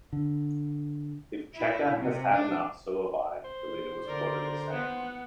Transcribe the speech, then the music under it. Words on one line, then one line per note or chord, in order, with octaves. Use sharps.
"If Checcha has had enough, so have I," Deledda was quoted as saying.
D3
E4
C3
D4
C5
D3 A#4 D5
B3 F#5